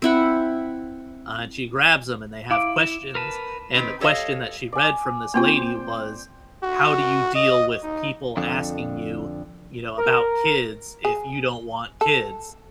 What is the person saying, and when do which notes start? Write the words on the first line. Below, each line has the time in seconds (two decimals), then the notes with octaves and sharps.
uh, and she grabs 'em, and they have questions, and the question that she read from this lady was, "How do you deal with people asking you, you know, about kids, if you don't want kids?"
0.02 C4 E4 F#5
2.51 E4 F5 D6 D7
2.81 E7
3.15 A#4 B4 A5
3.75 D#3 E3 C4 B4
4.00 G4 A4 C#5 D#5 F5
4.73 D5 G#5
5.34 A#3 C4 F4 C5 G5 C6
6.63 F#4
7.35 D#5
7.82 D#4
8.37 F2 D3
9.98 A#4
11.05 G#4
12.01 A4